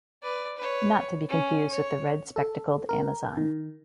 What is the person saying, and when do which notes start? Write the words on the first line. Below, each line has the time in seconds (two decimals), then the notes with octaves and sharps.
Not to be confused with the red-spectacled amazon.
0.23 B4 D5
0.57 B4 C#5
1.29 C#4
1.69 C#5
2.36 A4
2.89 A#4
3.37 D#3